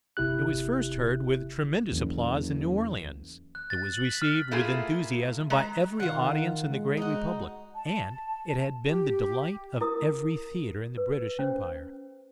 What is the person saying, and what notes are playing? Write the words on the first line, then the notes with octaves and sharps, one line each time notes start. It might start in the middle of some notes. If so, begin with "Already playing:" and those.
It was first heard with tremendous applause in New Orleans, it was received with enthusiasm by every audience in the Great Republic, and it had been the delight of every theatre in the British Empire.
G1 C3 E4 G4 F#6
F#1 E2
F#6
A6
F#7
B6
F6
A3 A#3 E4 F4 G#4
G#3 A#5
D#3 F4 F#5
G#3
D#4 F#4
A5
G4
E4 A#4 D#6
B4
C#4 C5